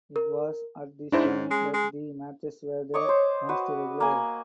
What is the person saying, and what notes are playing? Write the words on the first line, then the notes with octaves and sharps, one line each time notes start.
It was at this time that the matches were the most regular.
A#4
G#2 D4 E4 C5
C#4
G#3
G#3
C#5 D#5 C#6 D6
C5
F#4 B4
A#3 G#5